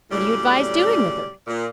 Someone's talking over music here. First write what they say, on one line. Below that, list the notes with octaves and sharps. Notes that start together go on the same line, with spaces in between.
"What do you advise doing with her?"
A2 C#3 F#3 G3 D5
A#2